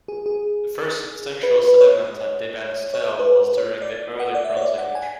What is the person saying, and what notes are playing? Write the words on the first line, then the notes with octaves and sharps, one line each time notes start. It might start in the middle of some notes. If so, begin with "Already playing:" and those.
The first substantial settlement at Dhiban's tell was during the Early Bronze Age.
G#4
G#4
B4
B4
B4
C#5
C#5
B4
B4
C#5
D5
F#5
D5
E5
C#5
D5
F#5
G#5